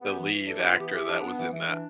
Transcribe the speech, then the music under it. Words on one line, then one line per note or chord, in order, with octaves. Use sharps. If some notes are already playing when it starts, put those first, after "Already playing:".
The lead actor that was in that,
B3 G4
E3
E3
D4 A4
B3 G4
F4
E3 G4
E3 G4
D4
B3
E3
E3
D4